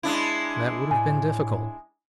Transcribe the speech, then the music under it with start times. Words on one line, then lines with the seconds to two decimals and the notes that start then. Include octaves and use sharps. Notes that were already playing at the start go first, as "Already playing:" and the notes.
"That would have been difficult."
0.03 G#3 D4 E4
0.91 A2 G#5